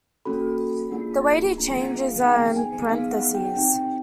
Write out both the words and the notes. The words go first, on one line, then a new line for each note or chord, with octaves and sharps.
The Wadey changes are in parentheses.
A#3 C#4 F#4 A4 B5
A#3 D4 F4 G#4
A#3 D4 F4 G#4 A#5
F#5
F5
B3 D#4 G#4 G5
G#5
B3 D#4 G#4 F5
F#5
G5
C4 D#4 G4 G5